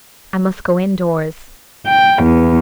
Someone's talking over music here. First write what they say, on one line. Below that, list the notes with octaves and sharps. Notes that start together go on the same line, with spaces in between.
I must go in-doors.
G5
E2